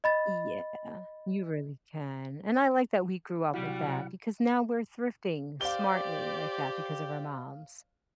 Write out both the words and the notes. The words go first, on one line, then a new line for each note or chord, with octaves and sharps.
Y yeah, you really can and I like that we grew up with that, because now we're thrifting smartly like that because of our moms.
D#5 B5 A6
C3 F#3 G3 E4 F#4 F#5
G4 C5 D5 F5 G7